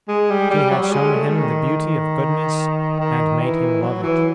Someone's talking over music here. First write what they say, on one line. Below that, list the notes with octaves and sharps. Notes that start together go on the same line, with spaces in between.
She had shown him the beauty of goodness and made him love it.
G#3
G3
G3
F#3
G3
G#3
A3
D#3
D#3
E3
F#3
E3